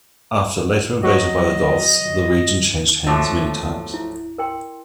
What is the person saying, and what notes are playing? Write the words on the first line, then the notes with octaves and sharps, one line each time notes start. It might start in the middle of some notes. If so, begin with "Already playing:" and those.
After later invasion by the Goths, the region changed hands many times.
F#3 D#5
F3 F#3 A3 E5 D6
E4
A#4 G5 C6